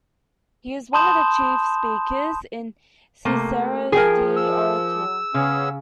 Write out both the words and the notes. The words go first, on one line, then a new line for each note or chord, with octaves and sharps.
He is one of the chief speakers in Cicero's "De Oratore".
A5 B5 C6 D#6 G6 E7
C3 A3 A#3
F3 G#4 A#4 G5 G#5
E6
C#3 B3 C#4 G#4